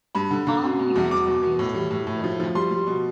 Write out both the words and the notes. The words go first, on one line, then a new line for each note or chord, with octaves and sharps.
The following units were raised in Whitfield County.
G2 B5
D3
D3
B2
B2
E2
B2 D6
B2
B2
A2
G3
A2
A2
F3
F3
G3 C6
G3
B2